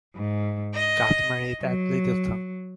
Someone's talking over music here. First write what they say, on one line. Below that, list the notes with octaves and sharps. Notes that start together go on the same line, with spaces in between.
Got married at Lyttleton.
G#2
D#5
F#3